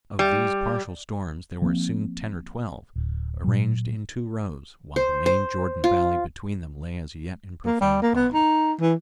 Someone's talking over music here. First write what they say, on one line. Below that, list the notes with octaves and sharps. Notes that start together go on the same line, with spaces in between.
Of these partial storms there were soon ten or twelve, arranged in two rows, while the main Jordan Valley between them lay as yet in profound calm.
G3
F3 A#3 C4
D1
A#2 F#3
C5
C5
F4
A#3
G3
A#3
B3
D#4
E3